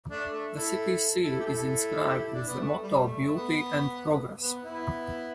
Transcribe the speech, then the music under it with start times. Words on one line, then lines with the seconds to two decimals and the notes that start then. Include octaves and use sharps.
The city seal is inscribed with the motto "Beauty and Progress".
0.09 A3 D4
0.32 A3
0.55 E4 A4
1.23 E4 A4
1.40 G4
1.45 E4 A4
2.08 G4
2.21 E4
2.34 D4
2.47 B3
2.60 A3
2.82 G3
2.96 G3
3.05 A3
3.20 A3
3.35 B3
4.41 B3
4.64 B3 E4